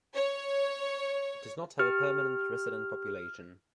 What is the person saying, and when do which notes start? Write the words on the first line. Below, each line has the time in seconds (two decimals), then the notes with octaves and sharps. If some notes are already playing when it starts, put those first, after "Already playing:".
It does not have a permanent resident population.
0.14 C#5
1.79 G4 F6